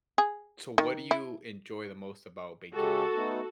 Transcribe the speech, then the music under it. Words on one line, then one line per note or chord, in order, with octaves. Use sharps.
So what do you enjoy the most about baking?
G#4
D#3
E4
C#3 G#3 F#4 G4 A4
A3 B3 D#4